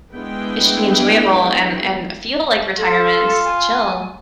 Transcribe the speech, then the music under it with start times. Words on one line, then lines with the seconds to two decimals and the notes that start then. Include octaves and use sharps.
It should be enjoyable and and feel like retirement. Chill.
0.13 G#3 B3 D4 E4 G5
2.78 F4 A4
3.45 G#5